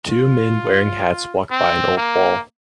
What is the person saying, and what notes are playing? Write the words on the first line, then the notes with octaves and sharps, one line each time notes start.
Two men wearing hats walk by an old wall.
F4
C4
A#3